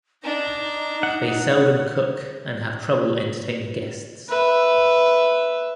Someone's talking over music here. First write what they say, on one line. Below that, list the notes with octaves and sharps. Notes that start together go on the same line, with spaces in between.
They seldom cook, and have trouble entertaining guests.
D4 D#4 A#5
F#5
B4 E5